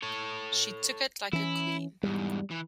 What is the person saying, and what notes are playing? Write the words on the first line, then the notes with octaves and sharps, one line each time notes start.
She took it like a queen.
A4 C#5
E3 C#4 E4
E2 G#2 G3
E3